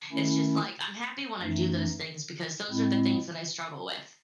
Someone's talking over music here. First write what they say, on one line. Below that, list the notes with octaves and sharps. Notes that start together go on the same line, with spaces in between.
it's just, like, I'm happy when I do those things because those are the things that I struggle with.
D#3 A3 C#4 E4
F#2 E3 A3 D#4
A2 G#3 C4 E4